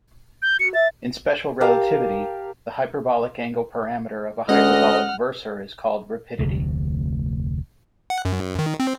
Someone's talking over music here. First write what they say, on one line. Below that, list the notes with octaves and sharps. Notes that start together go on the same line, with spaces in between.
In special relativity, the hyperbolic angle parameter of a hyperbolic versor is called rapidity.
G6
F#4 C#7
E5 A6
G4 A#4 F5 A5
D2 G#3 C#4 D#5 F#5 F6
F1 D2 C3
F#5
F#2
D#3
C4